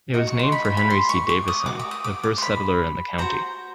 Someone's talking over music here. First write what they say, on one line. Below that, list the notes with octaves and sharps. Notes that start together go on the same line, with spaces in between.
It was named for Henry C. Davison, the first settler in the county.
D#4 F#4
C#6
C6
B5
B5
B5
C6
C#6
D6
D#6
F#4 A#4 D6
D6
D#6
D6
D6
C6
B5
F#4 A4 C5 A#5